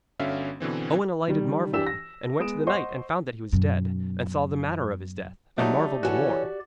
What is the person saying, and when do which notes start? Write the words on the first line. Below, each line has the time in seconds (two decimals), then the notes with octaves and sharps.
Owen alighted marvelling, and went to the knight and found that he was dead, and saw the manner of his death, and marvelled the more.
0.19 G1 D3 C#4 F#4 E5 F5
0.60 B2 D3 E3 C4
1.28 D#3 G3
1.73 E3 D4 G4 E6 B6 E7
1.87 A#6
2.40 G#3 B3 D#6 D7 E7
2.67 C5 D#5 F#5 C6 C#6
3.52 F#2 B2
5.58 F#3 A3 D#4 G4 D5
6.03 E3 F#3 C#4 F#4 A4